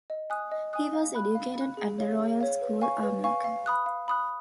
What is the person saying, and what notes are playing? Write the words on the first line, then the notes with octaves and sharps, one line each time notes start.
He was educated at The Royal School, Armagh.
D#5
G#5 D#6 F#6
D#5
G#5 D#6 F#6
F5
B5 F#6
F5
B5 F#6
G#4
C#5 F5
G#4
C#5 F5
B4
F5 G#5 C#6
B4
F5 G#5 C#6
F5
B5 D#6 F#6
F5
B5 D#6 F#6